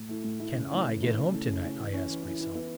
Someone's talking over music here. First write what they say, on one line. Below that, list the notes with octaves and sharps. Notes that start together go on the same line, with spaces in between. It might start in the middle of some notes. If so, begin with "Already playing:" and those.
"CAN I get home tonight?" I asked myself.
Already playing: A2
A3 E4
A2
A3 E4
C#3
E3 A3 E4
C#3
E3 A3 E4
C#3
A3 C#4 E4
C#3
A3 C#4 E4
E3
C#4 E4
E3
C#4 E4
E3
B3 E4